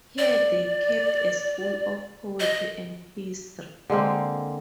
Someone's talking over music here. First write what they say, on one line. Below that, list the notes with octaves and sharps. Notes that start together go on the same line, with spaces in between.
Here they kept a school of poetry and history.
D5
D#5
D3 G#3 A#3 C4